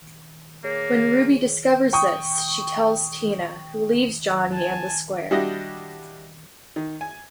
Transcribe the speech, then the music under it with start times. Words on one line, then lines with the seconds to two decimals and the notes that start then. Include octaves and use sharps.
When Ruby discovers this she tells Tina, who leaves Johnny and the Square.
0.64 A#3 G#4 C#5
1.93 G5 C#6 D#6
4.52 G#5 A5
5.31 G3 D4 E4 F#4 G4 D#5
6.76 D#3
7.01 G#5